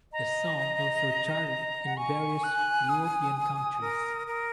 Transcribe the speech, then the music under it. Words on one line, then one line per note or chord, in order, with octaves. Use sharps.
The song also charted in various European countries.
D#5 A#5
F#5
G#5 C#6
F#6
D#6
A#4
A#4